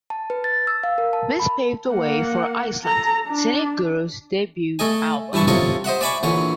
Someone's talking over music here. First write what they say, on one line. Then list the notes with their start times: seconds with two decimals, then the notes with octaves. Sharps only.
This paved the way for "Iceland"- Cynic Guru's debut album.
0.10 A5
0.30 B4
0.44 A6
0.67 E6
0.83 F5
0.98 A#4
1.13 A5
1.40 B5
1.91 A#3 F#5
2.84 A4 A#5
3.27 D4
4.79 A3 A4 D#5 G#5
5.33 G2 E3 E4 A5 C#6
5.47 C3 F4 A4 C#5 D#5 C#6
5.84 C5 D#5 E5 F#5
6.01 D5 E5 G#5 B5 C#6 D6
6.23 A#1 D3 E3 C#5